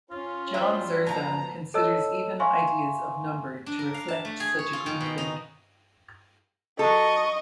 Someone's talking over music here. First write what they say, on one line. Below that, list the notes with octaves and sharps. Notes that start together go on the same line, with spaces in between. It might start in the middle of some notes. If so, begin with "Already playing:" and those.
John Zerzan considers even ideas of "number" to reflect such a groupthink.
C#4 F4
F#3 G3 C5 E5
B2 F3 A5 A#5
A4 C#5 D#5 A5 E6
E5 F5 G#5 C6 C#6
D4
A#4
F5
A5
A3
G#4
C#5
F4
D#3
B2
D#4
F#3 A4 D#5 C#6